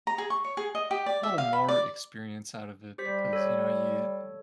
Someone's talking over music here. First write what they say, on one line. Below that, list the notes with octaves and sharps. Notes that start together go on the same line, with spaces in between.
a little more experience out of it because, you know, you d
A#5
G#4
C#6
C#5
G#4
D#5
G4
D5
E5
F5
B5
D5
G3 G4 C5 B6
A4 C#5